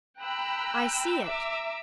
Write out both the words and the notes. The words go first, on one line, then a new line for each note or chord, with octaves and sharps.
I see it!
G5 A#5 B5 E6 F#6
E5 A#5 D6 E6